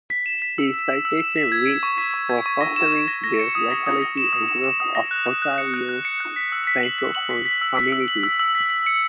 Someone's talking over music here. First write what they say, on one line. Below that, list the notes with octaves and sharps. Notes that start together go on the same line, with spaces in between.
His citation reads, for fostering the vitality and growth of Ontario's francophone community.
B6
E7
B6
E6
E6
E6
E6
E7
B6
G#6
B6
C#6
B6
C#6
G#6
C#6
A#6
E7
E7
A#6
A#6
C#7
D#6
A#6
D#6
A#6
E7
D#6
E7
E7
D#6
A#6
F#6
F#6
F#6
C#7
F#6
F#6
C#7
F#6
B6
E6
B6
F#7
B6
F#7
B6
B6
E6
B6
E6
F#7
E6
E6
B6
B6
C#7